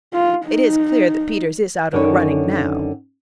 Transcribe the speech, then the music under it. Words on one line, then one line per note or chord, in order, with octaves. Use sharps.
It is clear that Peters is out of the running now.'
F4
D#4
F#2 D3 D#3 C#4 B4 C#5